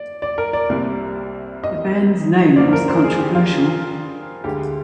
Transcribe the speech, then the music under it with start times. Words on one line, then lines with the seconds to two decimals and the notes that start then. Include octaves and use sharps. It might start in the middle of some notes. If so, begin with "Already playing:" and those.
The band's name was controversial.
Already playing: D5
0.22 D5
0.38 A#4
0.53 D5
0.70 C2 C3 G3 A#3
1.64 D#5
2.56 G2 F3 A#3 D5
2.73 A#4
2.88 C5
3.04 G#4
3.20 G4
3.35 F4
4.44 D2 D3 G#3 G4